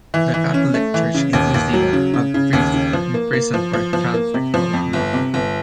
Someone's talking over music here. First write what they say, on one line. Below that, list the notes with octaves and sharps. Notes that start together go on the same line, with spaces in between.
The Catholic Church in New Zealand had priests imprisoned for child sexual abuse.
E3
E3
C#4
A3
E3
C#3
D#2
D#2
F#3
C#3
C#3
C#3
D#2
C#3
F3
A#3
A#3
F3
F3
F3
A#3
C3
F3
F2
G1
C3
G1